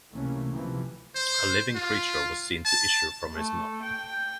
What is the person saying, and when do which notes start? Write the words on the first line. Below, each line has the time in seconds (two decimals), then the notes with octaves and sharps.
A living creature was seen to issue from his mouth.
0.12 C#2 C3 E3 A3 A#3 C#4
0.50 C3 E3 F3
1.15 C5
1.75 F4
2.65 A5
3.34 A3
3.83 G5